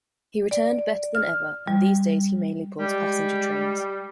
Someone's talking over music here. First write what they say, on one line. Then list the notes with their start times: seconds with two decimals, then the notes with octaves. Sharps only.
He returned better than ever, and these days he mainly pulls passenger trains.
0.51 D5
1.15 F6
1.68 G3
2.80 G3 G#3